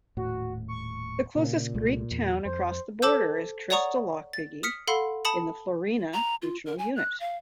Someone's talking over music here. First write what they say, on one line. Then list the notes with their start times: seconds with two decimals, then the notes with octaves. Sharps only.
The closest Greek town across the border is Krystallopigi in the Florina regional unit.
0.17 D#1 A2 F#4
0.68 C#6
1.35 A#2 C#3
1.74 C2 G#3 A3
2.11 E2
2.45 F2 C5
3.02 A4 C5 A5 D6 E6 G6
3.70 C#5 D5 F#5 A#5 C#6 D#6
4.33 A6
4.63 D#6 F6 B6 C#7
4.87 A4 F5 F#5 B5 C6
5.25 A5 B5 D#6 C#7 F#7
6.14 A#5
6.42 F4
6.66 A#4
6.78 G#5
6.96 F#6
7.20 F5